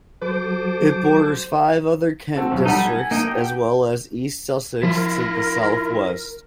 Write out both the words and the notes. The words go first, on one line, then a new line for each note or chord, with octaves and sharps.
It borders five other Kent districts, as well as East Sussex to the south-west.
F#3 A4 C5 D6
C4 F#4 A4
B1 B2
G3 D#4 A4 F#5
G#5
A#3 D#4
G4 G5
F3 E4 F4 A#4